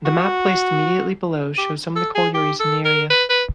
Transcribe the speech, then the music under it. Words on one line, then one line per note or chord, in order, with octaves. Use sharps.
The map placed immediately below shows some of the collieries in the Area.
F#4
G4
A4
G#4
G4
A4
A#4
B4
B4